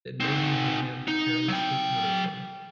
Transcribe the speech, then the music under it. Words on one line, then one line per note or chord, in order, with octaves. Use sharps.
It may be her hand carelessly counterfeited.
C4 D#4
D#4
F#3 G5